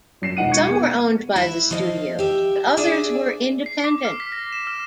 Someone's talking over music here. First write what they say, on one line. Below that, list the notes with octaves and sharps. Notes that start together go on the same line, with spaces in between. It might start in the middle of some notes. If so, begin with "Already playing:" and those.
Some were owned by the studios, but others were independent.
F#2 C7 E7
E1 D#4 F#5 D#7
C#6 G#6 C#7
B3
E4 B4
F3 D#5 F5
G4 E5
D4 G#4 D5 E5
C7
D6
F6
B6
A#6
E7
F6